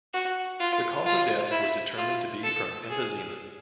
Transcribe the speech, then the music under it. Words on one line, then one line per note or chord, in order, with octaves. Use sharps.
The cause of death was determined to be from emphysema.
F#4
F4
F4
E4
F4
A4
G#4